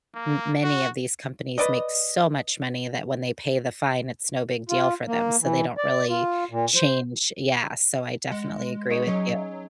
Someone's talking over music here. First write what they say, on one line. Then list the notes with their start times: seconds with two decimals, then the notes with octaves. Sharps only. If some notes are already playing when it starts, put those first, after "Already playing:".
m many of these companies make so much money that when they pay the fine, it's no big deal for them, so they don't really change yeah, so, I definitely agree with you.
0.15 A#3
0.63 F#4
1.58 B4 D5 D#5
4.69 F4
5.07 A#3
5.41 E3
5.78 D5
6.09 F4
6.51 A#2
6.75 C5
8.32 G#3 F#5
8.90 D#4 G#4 C#5
9.07 F#3 C#4 D#4